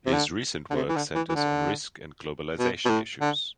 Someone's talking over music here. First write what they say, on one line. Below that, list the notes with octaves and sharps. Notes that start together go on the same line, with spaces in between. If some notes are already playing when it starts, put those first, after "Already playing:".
His recent work centers on risk and globalization issues.
C3
D3
D3
C3
E3
D3
E3
E3
D3
B2
B2
A2
D3